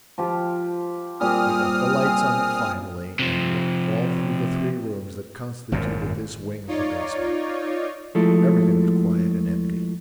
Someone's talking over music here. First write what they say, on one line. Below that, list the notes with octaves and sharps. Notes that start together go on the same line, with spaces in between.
We got the lights on finally and looked all through the three rooms that constituted this wing of the basement. Everything was quiet and empty.
F3 F4 G4
A#2 G3 C4 G#4 D#6 F6
G#4
C3 F3
G#1 F#2 A#2
D#4 F4 C#5 D5
F3 G#3 A3 E4 A4